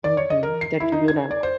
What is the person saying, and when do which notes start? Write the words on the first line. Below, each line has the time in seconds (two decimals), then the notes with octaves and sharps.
Mhm, that you do not
0.04 D5
0.17 C#5
0.30 D#5
0.43 A#4
0.61 C7
0.80 E4
0.92 D#4
1.08 G#6
1.31 D5
1.43 C5